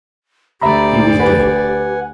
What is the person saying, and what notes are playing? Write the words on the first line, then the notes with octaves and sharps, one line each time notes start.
He was dead!
D2 G4 D5 E5 A#5 B5
B4 F#5 G#5